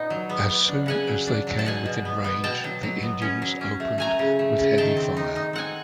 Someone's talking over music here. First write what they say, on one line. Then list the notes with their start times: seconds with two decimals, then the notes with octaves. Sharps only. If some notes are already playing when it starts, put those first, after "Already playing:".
As soon as they came within range, the Indians opened with heavy fire.
Already playing: A#2 B3 D#4
0.10 F#3
0.29 B3
0.49 B3
0.68 D4
0.86 C#3 F#5 G#5
1.07 F#3
1.27 D4
1.47 F#3
1.59 A5
1.65 B2 F#5 G#5
1.86 B2
2.05 B3
2.24 B3
2.44 B2 G5 A5
2.64 F#3
2.83 F#3
3.03 B3
3.22 C#4
3.42 F#3
3.61 C#4
3.80 A3
3.98 A3 G#5 A#5
4.19 C#3
4.39 A3
4.58 C#3
4.78 D#3 G5 A5
4.97 C4
5.17 D#4
5.36 D#4
5.53 C4 F#5 G#5